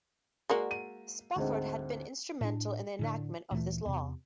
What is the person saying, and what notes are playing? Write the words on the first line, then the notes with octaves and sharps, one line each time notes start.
Spofford had been instrumental in the enactment of this law.
G#3 A#3 F#4 D5
D#7
D2 G#2 C4
A2 D4
A2 D3
D2 A#2 E3 A3
E2 C3